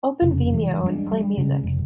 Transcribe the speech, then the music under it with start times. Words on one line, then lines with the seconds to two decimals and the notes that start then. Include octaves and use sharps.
Open Vimeo and play music.
0.22 F1 C#3
0.53 E3 G#3
0.84 G3 G#3 B3 D4
1.11 G3
1.38 C#3 G#3
1.63 F1